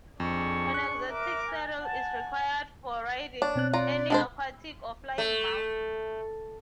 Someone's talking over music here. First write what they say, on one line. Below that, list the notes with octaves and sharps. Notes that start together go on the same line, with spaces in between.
An exotic saddle is required for riding any aquatic or flying mount.
F2 D4 G#4 C#6
F#6
A#4 E5 D6
G#5
F#5 G#5 A5
D4 C#5
B2 C4 F#6
F4 D5 A#5
G#3 D4 A4 C5
A3